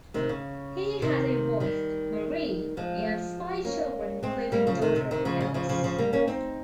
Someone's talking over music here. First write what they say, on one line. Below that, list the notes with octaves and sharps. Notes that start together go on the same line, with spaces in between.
He had a wife, Marie, and five children including daughter Else.
C3 D#3
C#3
C3 D#3
D#3 G3
F3 G#3
A#3 C#4
G#3 C4
G3 A#3
C#3 F3
C3 D#3
C3
C3 D#3
C#3 F3
C#3
C#3 F3
C#3 F3
C#3 F3
G3 A#3
A#3 C#4
C4 D#4